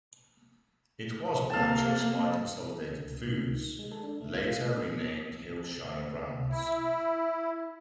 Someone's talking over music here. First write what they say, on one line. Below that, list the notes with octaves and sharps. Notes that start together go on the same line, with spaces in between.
It was purchased by Consolidated Foods, later renamed Hillshire Brands.
C3 A#3 F5 A5
D#3
G#3
A4
D4
A3
F4
E4